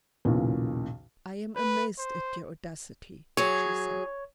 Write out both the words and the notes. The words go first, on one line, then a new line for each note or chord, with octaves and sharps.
"I am amazed at your audacity," she said.
B1 E2 A#2 C#3
B4
C5
F#3 G#4 C#5